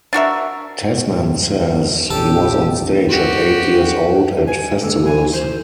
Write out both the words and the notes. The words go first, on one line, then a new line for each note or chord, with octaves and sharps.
Tasman says he was on stage at eight years old at festivals.
D4 F#4 A#4 E5
A#1 C#4 G4 A4
F#4 G4
G#5
D3 G#3 A#3 A4
E3 G#5
C5